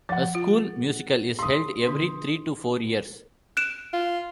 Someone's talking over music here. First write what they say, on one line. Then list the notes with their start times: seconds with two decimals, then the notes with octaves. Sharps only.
A school musical is held every three to four years.
0.09 F3 F#5 A6
0.35 F4
1.39 G4 C6 D#6
1.87 D3 D4
3.57 F#6 D7 E7
3.93 F4